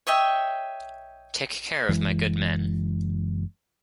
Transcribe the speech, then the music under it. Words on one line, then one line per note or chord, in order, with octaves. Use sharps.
Take care of my good men.
C#5 D#5 E5 G5
F#1 E3 G#3